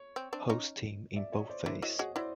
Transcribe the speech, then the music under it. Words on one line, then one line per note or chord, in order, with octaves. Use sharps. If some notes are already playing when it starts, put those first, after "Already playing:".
Host team in boldface.
Already playing: C#5
C4
C4 D4
C#4 D#4
D5 E5
C#5 D#5
C5 D5
D4 E4 A#4 C5
E4 F#4 C#5 D#5
F#4 G#4 C#5 D#5
E4 F#4 C5 D5